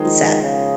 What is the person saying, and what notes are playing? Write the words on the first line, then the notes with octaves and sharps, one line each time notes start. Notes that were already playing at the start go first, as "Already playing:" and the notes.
It's sad.
Already playing: D#3 F3 G#3 D#4 G#4 C5
C#3